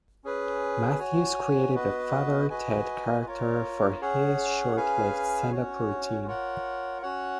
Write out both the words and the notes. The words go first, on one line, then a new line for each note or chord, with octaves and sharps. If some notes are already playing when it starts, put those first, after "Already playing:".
Mathews created the Father Ted character for his short-lived stand-up routine.
C#4 G#4 B4
F#4 C#5 G#5
B3 F#4 B4 D#5
F#4 B4 D#5 G#5
F4 A#4 C#5
C#4 G#4 C#5 F#5
C#4 G#4 B4 F5 G#5
C#4 F#4 C#5
F4 A#4 C#5 F#5
C#4 F#4 C#5 F#5